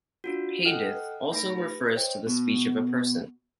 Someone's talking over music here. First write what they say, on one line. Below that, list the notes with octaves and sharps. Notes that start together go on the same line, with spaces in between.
"Hadith" also refers to the speech of a person.
D4 F4 F#4
A4 D#5 F#5 G5 F6 F#6
A3 D#4 B5 A#6 D7
G4 B4
C5 C#5 D#5 G5
B2